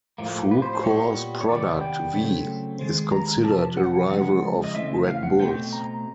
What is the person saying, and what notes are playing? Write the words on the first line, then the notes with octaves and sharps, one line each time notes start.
Frucor's product, V, is considered a rival of Red Bull's.
A2 F3 A#3
B4
C5
C5
A#2 G3 B3 C#5
C#5
C3 D#3 G3 B3 D5
G5
C#3 F#3 A3 C4
D#3 G#3 C4
A#5
C3 F3 A5
F#5
C#3 F3 G#3 F#5
D#5
C#3 E3 A3 C4 E5
F5
F#5
B2 F#3 A3 C4 G5
A#5